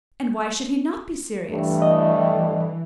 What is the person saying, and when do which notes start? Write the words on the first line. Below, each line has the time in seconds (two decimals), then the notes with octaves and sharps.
"And why should he not be serious?"
1.49 G2 E3 A3
1.82 D#5